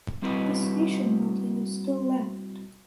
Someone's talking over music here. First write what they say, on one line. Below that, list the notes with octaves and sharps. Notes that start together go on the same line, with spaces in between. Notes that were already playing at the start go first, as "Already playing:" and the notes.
The station building is still left.
G3 C4 E4 F#4 B4 D#5